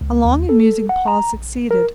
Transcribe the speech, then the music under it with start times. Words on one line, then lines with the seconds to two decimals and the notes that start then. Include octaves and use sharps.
A long and musing pause succeeded.
0.01 C#2
0.25 D#2
0.49 A4
0.89 F#5
1.08 A#5
1.33 A#1
1.71 A#4